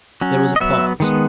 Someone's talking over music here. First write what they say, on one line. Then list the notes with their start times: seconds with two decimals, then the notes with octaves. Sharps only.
There was a pause.
0.21 F#3 C#4
0.56 D#5
0.60 F#3 B3 E5
1.00 D#3 G#3 B3